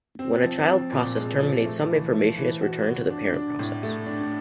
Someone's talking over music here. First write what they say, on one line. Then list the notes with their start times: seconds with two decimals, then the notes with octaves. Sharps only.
When a child process terminates, some information is returned to the parent process.
0.19 C4
0.44 F3
0.68 C4
0.92 A#2
1.17 G#3
1.41 F3
1.65 A3
1.89 E3
2.13 A3
2.38 E3
2.62 F#4
2.86 F#4
3.10 D4
3.34 D4
3.59 A2
3.83 A3
4.06 D4